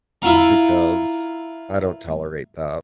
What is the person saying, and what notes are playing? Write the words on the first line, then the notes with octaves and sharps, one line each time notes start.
because I don't tolerate that.
E4 F4 F5 A#5